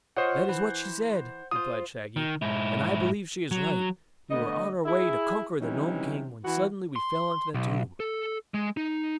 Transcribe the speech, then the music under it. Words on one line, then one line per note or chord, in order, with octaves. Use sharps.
"That is what she said," replied Shaggy, "and I believe she is right. We were on our way to conquer the Nome King when suddenly we fell into the Tube."
F4 C5 C#5 D#5 F#5
E3
F4 C5 D#6
D#3
G#2 E4
F#3
D3 A3 B3 D4 D#5
E4 G#4
C3 E3 F#3 G3 C#4 D#4
E3 B3 F#4
C6
B1
A4
G#3
D#4